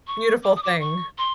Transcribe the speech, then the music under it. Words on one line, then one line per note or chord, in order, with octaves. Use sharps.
beautiful thing.
C#6
D6
D#6
D6
C#6
C6